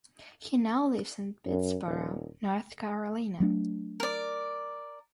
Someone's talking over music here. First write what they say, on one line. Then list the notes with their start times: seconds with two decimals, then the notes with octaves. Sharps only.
He now lives in Pittsboro, North Carolina.
1.47 F#2
1.86 D#1
3.40 F#3 A3 D4
4.00 A#4 D5